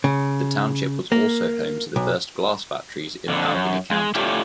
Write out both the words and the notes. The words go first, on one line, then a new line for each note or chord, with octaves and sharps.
The township was also home to the first glass factories in Allegheny County.
C#3
A#3
B1
F2 D3
F#2
G#3
A2 A3 C#4 D4 F4 G4